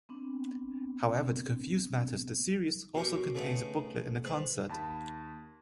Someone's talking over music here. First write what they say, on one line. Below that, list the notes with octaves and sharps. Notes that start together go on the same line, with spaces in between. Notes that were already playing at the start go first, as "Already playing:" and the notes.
However to confuse matters the series also contains a booklet and a concert.
B3 C4 D4
B2 C#4 G4 A#4
C#3 A3 B3 D#4
G#2 B4
D#2 A5 B5